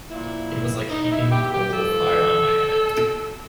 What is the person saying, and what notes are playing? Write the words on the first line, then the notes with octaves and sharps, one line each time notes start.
It was like heaping coals of fire on my head.
A#2 F3 E4
D#4
E4
G4
G4
G#2 F3 A4